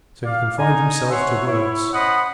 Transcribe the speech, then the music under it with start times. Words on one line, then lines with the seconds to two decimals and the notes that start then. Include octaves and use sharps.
So he confined himself to words.
0.24 D5 F5
0.58 D#4 G#5 A#5
1.10 C5 C#5 E5 F#5 C6 C#6
1.46 E4 C#5
1.93 C#4 C5 D#5 F#5 B5 D#6